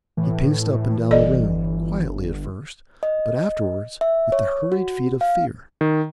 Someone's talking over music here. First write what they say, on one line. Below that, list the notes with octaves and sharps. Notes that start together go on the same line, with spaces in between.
He paced up and down the room, quietly at first, but afterwards with the hurried feet of fear.
A2 E3
G1 A4 D5 D#5
D#5
E5
C#5
F#4
F5
D#3